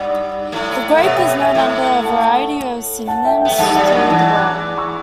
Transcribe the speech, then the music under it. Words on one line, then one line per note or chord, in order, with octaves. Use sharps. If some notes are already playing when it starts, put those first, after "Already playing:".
The grape is known under a variety of synonyms through the world.
Already playing: G2 G3 D5 F#5
A2 A3
A3 F#5
B2 B3 C#5 E5
E5 G5
E5 G5
A2 A3
F#5 A5
F#5 A5
E5 G5
B3 E5 G5
A3
G2 G3 F#5 A5
G2 G3 D5 F#5
G3
F#2 F#3 F#5 A5
E2 E3 F#5 A5
D6 F#6
C#6 E6